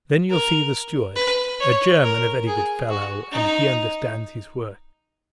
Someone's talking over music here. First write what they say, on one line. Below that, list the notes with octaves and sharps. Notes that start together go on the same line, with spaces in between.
Then you'll see the steward--a German, a very good fellow, and he understands his work.
A#4
B4
C#5
A#4
G#4
F#4
D#4